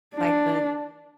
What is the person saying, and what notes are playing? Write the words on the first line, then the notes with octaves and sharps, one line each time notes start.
like, the
D4